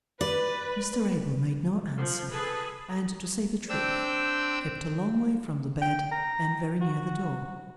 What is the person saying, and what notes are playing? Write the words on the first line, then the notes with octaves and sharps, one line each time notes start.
Mr Abel made no answer, and, to say the truth, kept a long way from the bed and very near the door.
B4 D5
F3
G#4 A4 B4
C4 D4 G5 E6
G5
A#5
F#4